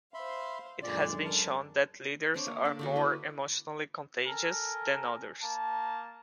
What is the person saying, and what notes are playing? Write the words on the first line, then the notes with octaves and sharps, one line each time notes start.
It has been shown that leaders are more emotionally "contagious" than others.
C5 E5 F5 B5 C6
F#2 A#2 D3 G#3 D5
A#4 A5
C4 D4 C5 C#5
A#3
D4
D3 D4 F#4
E4 B4
A4 A#4 G#5
A#3 A5